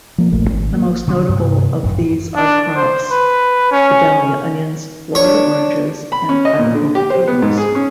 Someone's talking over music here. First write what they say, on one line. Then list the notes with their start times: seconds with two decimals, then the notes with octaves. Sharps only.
The most notable of these are crops: Vidalia onions, Florida oranges, and Idaho potatoes.
0.18 F3 A#3
0.32 D#1 A#1 A3
0.50 G#1
0.74 A#3
1.08 D3 F#3 G3
1.29 G2 C3 F#3 A3
1.83 D1 G#1 F#2
2.36 D4
2.76 C5
3.11 B4
3.72 C#4
5.15 D4 C#5
6.12 B5
6.29 C#4
6.45 D#5
6.59 A#2
6.75 D3
6.95 G4
7.10 C5
7.28 B3
7.42 G#2
7.58 G#4
7.75 C#4